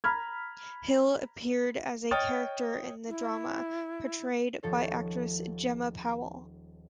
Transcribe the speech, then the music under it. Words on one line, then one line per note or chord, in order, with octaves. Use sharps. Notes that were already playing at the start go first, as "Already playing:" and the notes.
Hill appeared as a character in the drama, portrayed by actress Jemma Powell.
A#5 B5 F6 G#6
C#5 D#5 G5 D#6 F6 A6
E4
D#1 F3 A4 C#5